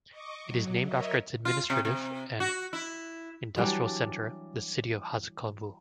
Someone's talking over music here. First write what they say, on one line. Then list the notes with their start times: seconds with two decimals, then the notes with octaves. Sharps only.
It is named after its administrative and industrial centre - the city of Haskovo.
0.11 D#5 C#6 D6
0.45 F#3
0.85 A#4 C#5 D#5 E5
1.45 F4
1.70 C3
1.85 C3
2.40 F#4
2.73 E4
3.56 E3 F#3 G3 D4